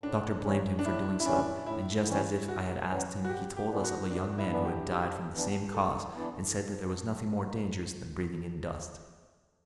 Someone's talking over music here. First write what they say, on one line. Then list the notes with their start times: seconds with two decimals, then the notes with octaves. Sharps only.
The doctor blamed him for doing so, and just as if I had asked him he told us of a young man who had died from the same cause, and said that there was nothing more dangerous than breathing in dust.
0.03 A2 D4
0.45 E3 G3 C#4
0.79 D4
0.85 A2 E4
1.20 E4
1.25 E3 G3 C#4 D4
1.66 A2 E4
2.07 E3 G3 C#4
2.48 A2 F#4
2.89 E3 G3 C#4
3.24 F#4
3.29 F#2 G4
3.57 G4
3.70 E3 B3 D4
3.84 F#4
4.11 F#2 D4
4.38 E4
4.51 E3 B3 D4
4.65 G4
4.92 F#2 G4
5.33 E3 B3 D4
5.74 F#2 A4
6.15 E3 B3 D4